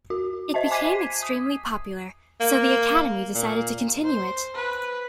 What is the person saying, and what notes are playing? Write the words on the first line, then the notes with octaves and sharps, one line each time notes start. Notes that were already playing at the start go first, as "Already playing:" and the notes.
It became extremely popular, so the Academy decided to continue it.
F#4
C5 D#5 E5 A5
G#5 D6 G#6 B6 C7 D#7
D#6
A#3
A#2
C5
B4